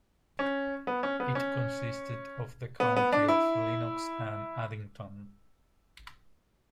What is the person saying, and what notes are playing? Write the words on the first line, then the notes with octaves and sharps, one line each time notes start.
It consisted of the county of Lennox and Addington.
C#4
B3
C#4
B3
C#4
B3
B3
D4
E4